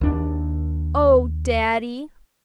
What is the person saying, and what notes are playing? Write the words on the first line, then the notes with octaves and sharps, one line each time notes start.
Oh, daddy!
D#2 D4